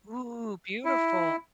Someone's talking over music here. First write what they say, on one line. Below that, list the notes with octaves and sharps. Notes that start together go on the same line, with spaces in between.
Ooh, beautiful!
E4